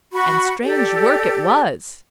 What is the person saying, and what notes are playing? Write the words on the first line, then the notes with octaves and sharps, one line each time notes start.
And strange work it was!
F#4 B5 C#6
G4 A4 D5